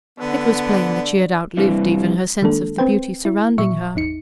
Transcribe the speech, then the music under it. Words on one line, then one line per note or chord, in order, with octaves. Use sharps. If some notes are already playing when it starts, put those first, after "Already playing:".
It was plain that she had outlived even her sense of the beauty surrounding her.
D3 B3
G2 C3 E3 G3
D#3 G#3 A#3 D4 A4
C4 B4 C5 G5
E4
A#2 F#3 E5 C#6
G#1 E2 D#4 C#7